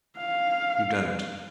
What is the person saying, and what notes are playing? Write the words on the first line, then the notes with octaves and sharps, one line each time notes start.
You don't.
F5